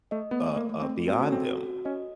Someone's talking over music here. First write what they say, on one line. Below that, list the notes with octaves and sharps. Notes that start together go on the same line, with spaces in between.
uh uh, beyond them,
A3 D#5
A3 B3
A3
A#3
A3
C4
A3
C4 F#4
C#4
A4
C4
F#4
F#4
C#4 D#5